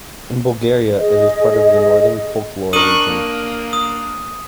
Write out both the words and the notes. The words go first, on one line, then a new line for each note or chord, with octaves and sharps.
In Bulgaria it is part of the "Northern folklore region".
G#4 D#5
D4 A#4 C#6 D#6 F#6 D#7 F#7
A#3
D#6